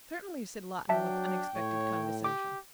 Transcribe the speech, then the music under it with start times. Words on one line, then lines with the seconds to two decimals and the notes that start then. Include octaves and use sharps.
"Certainly," said Lawton, with unexpected condescension.
0.89 F#3 D4 E5 G5 A5
1.55 A2 C#5
2.24 G4 D6